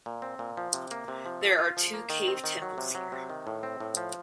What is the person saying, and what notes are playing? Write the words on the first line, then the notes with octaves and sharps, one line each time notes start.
There are two cave temples here.
A#2
C4
A#2
F3
C3
A#3
C3
F3
A4
F4
F3
A#3
D#3
C4
D#3
F#3
C3
F#3
C3
D#3
A2
C4
A2
F3